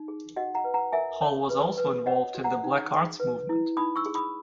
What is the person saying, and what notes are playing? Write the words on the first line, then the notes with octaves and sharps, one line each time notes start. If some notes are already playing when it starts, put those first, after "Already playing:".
Hall was also involved in the Black Arts Movement.
Already playing: D#4
G#4
F#4 D#5 F#5
F#5 A#5
B4
F#5 A#5
A#4 E5 G#5
C#5
B4
B4
C#5 D#5 F#5
F#4
F#5 A#5
D#4
G#4
B4
E4
D#4 B5 D#6
C#6 E6
G#4
B5 D#6